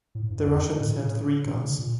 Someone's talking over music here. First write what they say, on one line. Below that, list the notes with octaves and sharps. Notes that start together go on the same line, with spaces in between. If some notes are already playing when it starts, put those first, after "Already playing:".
The Russians had three guns.
A2
G2
F2
A2
A#2
A2
A#2
C#3
A#2